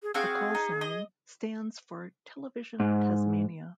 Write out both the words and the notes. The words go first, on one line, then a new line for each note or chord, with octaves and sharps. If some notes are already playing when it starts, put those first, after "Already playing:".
The callsign stands for "TeleVision Tasmania".
G#4
C4 F#4 G#4 F5
D#4
D#5
G#2